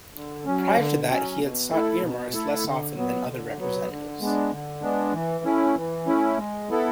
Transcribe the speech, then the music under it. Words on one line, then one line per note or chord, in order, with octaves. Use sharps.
Prior to that he had sought earmarks less often than other representatives.
D3
F#3 C#4
D3
F#3 C#4
B2
A3 E4 A4
B2
A3 E4 A4
D3
F#3 B3
D3
F#3 B3
D3
G#3 B3 D4
D3
G#3 B3 D4
E3
A3 C#4 E4
E3
A3 C#4 E4
G#3
B3 E4 A4